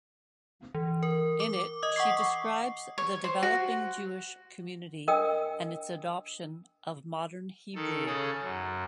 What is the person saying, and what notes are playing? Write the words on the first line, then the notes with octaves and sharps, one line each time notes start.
In it she describes the developing Jewish community and its adoption of modern Hebrew.
E3
A#4
D6
D#5 D#6
F#5 C#6 D6 C7
C#5
C5
F#4
D4 A#4 D#5 G5 D#6 E6
D#3 A4
C#3 G#4 A4
F#2